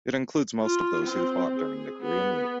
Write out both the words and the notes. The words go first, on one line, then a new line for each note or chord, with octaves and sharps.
It includes most of those who fought during the Korean War.
F4
C4
G#4
B3